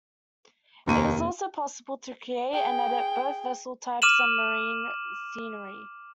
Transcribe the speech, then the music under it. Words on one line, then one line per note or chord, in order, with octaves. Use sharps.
It is also possible to create and edit both vessel types and marine scenery.
F1 D#2 A#3 D#7
G#4 G5
D6 F6 D#7 E7 F#7